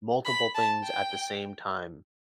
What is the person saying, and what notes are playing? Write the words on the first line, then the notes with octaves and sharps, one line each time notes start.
multiple things at the same time,
B5
A5
G5